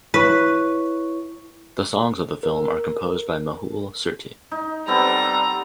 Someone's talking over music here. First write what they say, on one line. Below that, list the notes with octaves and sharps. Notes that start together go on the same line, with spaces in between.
The songs of the film are composed by Mehul Surti.
E4 B4 C#5 C#6
A#4
D#4
G3 B3 C4 A4 A#5